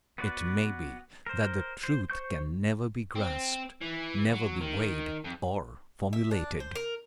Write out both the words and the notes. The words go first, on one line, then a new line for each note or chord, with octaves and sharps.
It may be that the Truth can never be grasped, never be weighed or formulated.
B3 F#4 B4 D5
A#4 C5
C5
C5 C#6 G6
C4
E3
F#3
D#3
F2
E5
D4
C5
A#4